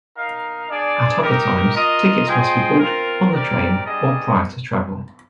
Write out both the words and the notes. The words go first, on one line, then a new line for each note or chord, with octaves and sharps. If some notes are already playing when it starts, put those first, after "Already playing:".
At other times, tickets must be bought on the train or prior to travel.
D#4 A#4 F5
D4 G#4 D5
D#4 G4 A#4
F4 A#4 D#5
F4 G#4 C5 D#5 G5
C4 F4 A#4
C4 D#4 G4 A#4 D5
G3 D4 G#4 D#5